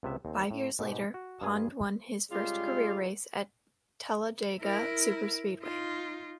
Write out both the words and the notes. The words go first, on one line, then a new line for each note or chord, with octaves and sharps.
Five years later, Pond won his first career race at Talladega Superspeedway.
C#2 C3 B3 E5
D#2 C4
A2
G#2 B2 G4
F#4
G2 A#3 F4 G#4 G#5
C#3 G3 G#3 F4 G4
E4 A#4
D#4 F4